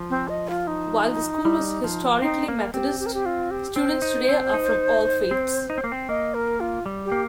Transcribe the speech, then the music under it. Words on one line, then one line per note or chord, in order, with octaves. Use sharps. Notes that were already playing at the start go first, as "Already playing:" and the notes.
While the school was historically Methodist, students today are from all faiths.
Already playing: F3
C4
D#5
F4
D#4
G3
F3
C4 D#4
A#3
C4 G4
G4
A#4
G4
F4
G4
C4 C5
D#4
C4
D#4
C4
D#4
C4
A#3
C4
A#3 D#5
A#4
F4
G3
G4
A#3